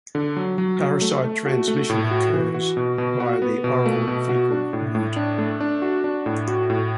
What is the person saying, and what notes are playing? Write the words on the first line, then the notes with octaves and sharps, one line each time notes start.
Parasite transmission occurs via the oral-fecal route.
D3
F#3
F#3
F#3
A3
A3
F#4
A3
A2
F#4
E3
F#4
B2
B2
F#4
B3
B2
A3
B2
F#4
D4
A2
A2
D4
A3
D4
F#4
D4
A2
F#4
A2